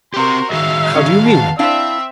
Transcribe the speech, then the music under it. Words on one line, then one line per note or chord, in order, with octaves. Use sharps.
"How do you mean?"
C4 F#4 G4 A#4 C5
D#3 F#4 G#4 E5 F5
C#4
B3 A5
C4 D4 E4 E5 F5 E6